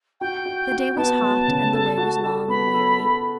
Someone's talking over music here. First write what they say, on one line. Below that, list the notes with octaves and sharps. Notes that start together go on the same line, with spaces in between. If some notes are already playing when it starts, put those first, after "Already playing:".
The day was hot, and the way was long and weary.
F#4 G5
F#4
F#4
B3 A5
F#3
C#3
A4
F#4
A4
B3 B5
A4
A4